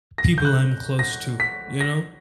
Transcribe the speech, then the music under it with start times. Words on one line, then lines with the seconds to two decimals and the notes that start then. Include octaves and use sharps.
people I'm close to, you know?
0.18 A#6
0.38 G6
0.45 F#6
0.99 A#6
1.40 B6
1.80 A#6